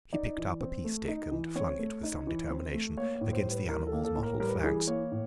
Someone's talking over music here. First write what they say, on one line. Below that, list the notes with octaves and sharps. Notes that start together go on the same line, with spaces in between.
He picked up a pea-stick and flung it with some determination against the animal’s mottled flanks.
D#4 D5
E3
C4
A3
D#4
E3
C4 C#5
A3
D#4
E3
C4
A3
A#3 C#5
C#5
A2
C5
G3
B4
E3 A#4
A4
A#3
A4
A2
A#4
G3 A#4
B4
A#4
E3 G#4
A#3 C#5
A2